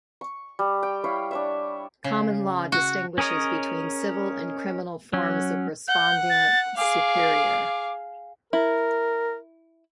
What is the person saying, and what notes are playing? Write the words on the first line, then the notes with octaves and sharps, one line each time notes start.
Common law distinguishes between civil and criminal forms of respondeat superior.
C#6
G3
G5
E4 C#5 F5
D4 C#5 E5
C#3
F#4
C#4 G#4 A#4 C#5 D#5
F#3 C#4
F#5 G6
A6
G#4 F5 D6
E4 A#4